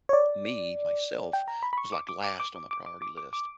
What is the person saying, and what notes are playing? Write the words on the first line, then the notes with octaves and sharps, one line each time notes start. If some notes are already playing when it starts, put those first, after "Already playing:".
me- myself, was, like, last on the priority list
C#5
D5
G5
A#5
B5
B5
C#6
D6
D6
D6
D6
D6
D6
D6
D6
D6
D6